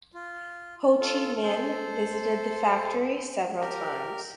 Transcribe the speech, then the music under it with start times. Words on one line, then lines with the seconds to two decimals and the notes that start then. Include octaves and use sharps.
Ho Chi Minh visited the Factory several times.
0.14 F4
1.00 F4 A4
1.43 A4 C5
3.59 G4 A#4